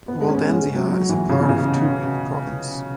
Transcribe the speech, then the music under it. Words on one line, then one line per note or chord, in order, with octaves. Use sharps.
Waldensia is a part of Turin province.
B3
G#3
C#4
B3
G#3
G#3
F#3
F#3
E3
C#3
B2
C#3